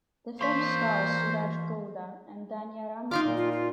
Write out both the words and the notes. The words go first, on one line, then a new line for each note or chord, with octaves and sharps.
The film stars Suraj Gowda and Dhanya Ramkumar.
E3 A#3 C5 F5 C6 C#6 B6
D#4 F4 C6 D6 F6
A#2
F4
F4